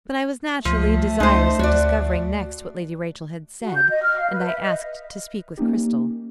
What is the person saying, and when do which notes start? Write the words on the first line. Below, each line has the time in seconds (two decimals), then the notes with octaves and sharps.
But, I was naturally desirous of discovering next what Lady Rachel had said; and I asked to speak with Cristel.
0.65 C#2 F3 A3
1.20 C#2 D#4 C5
1.59 D2 F#4 D5
3.62 F#4
3.75 G6
3.89 D#5
4.02 F6
4.16 F5
4.30 B4
4.45 E5
4.61 D#5
5.58 A#3 C#4 D#4 G4